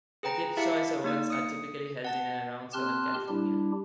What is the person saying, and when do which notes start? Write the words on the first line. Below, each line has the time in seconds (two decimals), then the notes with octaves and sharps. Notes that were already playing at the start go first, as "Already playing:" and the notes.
The Kids' Choice Awards are typically held in and around Southern California.
0.23 G#4 B4 G5 A#5
0.57 E4 G4 E5 F5 A5 C#7
1.04 A#3 D#4 D5
1.30 D#6 C#7
2.05 F#5 A5 A6
2.73 C4 G4 A5 C6 F6 F#6
3.28 G3 D4 E4 G4